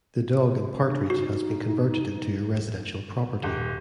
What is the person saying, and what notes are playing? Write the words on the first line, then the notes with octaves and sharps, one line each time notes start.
The Dog and Partridge has been converted into a residential property.
D4
D#4 F#4
D#1